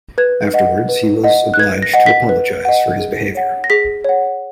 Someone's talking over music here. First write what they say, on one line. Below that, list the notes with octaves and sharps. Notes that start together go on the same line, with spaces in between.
Afterwards, he was obliged to apologize for his behaviour.
B4 G#6
D#5 F#5
B4
D#5 F#5
F#6
B4 G#6
A#6
D#5 F#5
B6
B4
D#5 F#5
G#4
C#5 F#5
A#6
G#4 B6
C#5 F#5